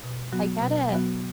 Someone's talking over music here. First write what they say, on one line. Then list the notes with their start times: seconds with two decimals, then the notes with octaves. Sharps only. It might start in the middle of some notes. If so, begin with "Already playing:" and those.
I get it.
0.04 B2
0.32 F#3 B3 F#4
0.61 B2
0.91 F#3 B3 F#4